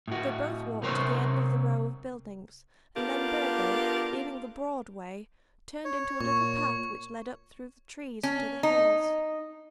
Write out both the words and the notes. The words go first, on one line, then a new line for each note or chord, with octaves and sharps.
They both walked to the end of the row of buildings, and then Burgo, leaving the broad way, turned into a little path which led up through the trees to the hills.
A2 F#4
C3 C4 A#4 C5 C#5
B3 D4 F4 G4 A4 A#4
C#5
A#2 C#6
C#4
D#4